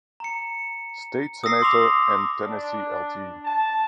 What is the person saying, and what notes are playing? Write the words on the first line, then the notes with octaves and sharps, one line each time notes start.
State Senator and Tennessee Lt.
A#5 C#7
D#6 E6 A#6 C7
C6 D6 F7
D4
A5